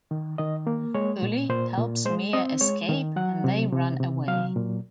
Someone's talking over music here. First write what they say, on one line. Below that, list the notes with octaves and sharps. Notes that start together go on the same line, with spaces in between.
Uly helps Mia escape and they run away.
D#3
D#3 D#5
A#3
G#3 C#5
A#2
A#2 C5
A#2
G#3 C5
C4 D#5
G#3 C#5
D#3
F#3 F#5
C3
C3
C3
F#3 F5
A#2